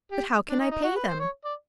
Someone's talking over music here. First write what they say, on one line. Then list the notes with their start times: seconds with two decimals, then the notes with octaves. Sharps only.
"But how can I pay them?"
0.11 G4
0.49 D4
0.59 D#4
0.71 D#4
0.83 F#4
0.96 B4
1.08 C5
1.20 C#5
1.44 D5